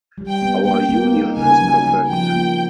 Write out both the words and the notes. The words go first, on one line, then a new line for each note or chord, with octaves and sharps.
Our union is perfect.
G3
G5
B3
A#3 G5
A#3
D#4
C#3 G#5
F#3
F#3
F3 G5
A#3